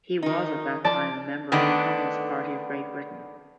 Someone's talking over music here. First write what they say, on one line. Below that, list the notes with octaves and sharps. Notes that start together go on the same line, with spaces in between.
He was at that time a member of the Communist Party of Great Britain.
D#3 D#4
F3 D5 A5
D3 D#3 A3 B3 D4